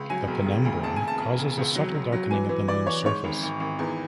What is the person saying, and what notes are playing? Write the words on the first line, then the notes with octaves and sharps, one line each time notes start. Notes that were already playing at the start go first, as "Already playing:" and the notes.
The penumbra causes a subtle darkening of the moon's surface.
Already playing: C#2
F#3 G#5
E1
E1
D2
E1 A5
G#5
E1
A5
E1
E1
C#2
F#3
F#3
F#3
E3 G#5
E3
E3 D5
E3 C#5
G#2 C#5
G#1
G#1
G#1
E2